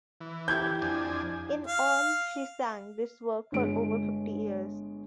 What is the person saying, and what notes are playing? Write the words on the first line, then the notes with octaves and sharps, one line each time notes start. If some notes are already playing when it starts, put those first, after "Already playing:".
In all she sang this work for over fifty years.
E3
E4 G4 G6 G#6
F2 D4 G#5
F5
G1 G#3 D7